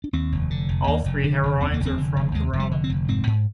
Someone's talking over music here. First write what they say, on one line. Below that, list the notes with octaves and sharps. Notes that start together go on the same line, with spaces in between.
All three heroines are from Kerala.
D4
D#2 C4
F1
D3
F1
D#2 A#3
F1
D3 D4
F1
D#2 C4
A#3
F1
C4
D3
F1
D#2 G#3
F1
G3
D3
C4
F1
G#2 C4
G#2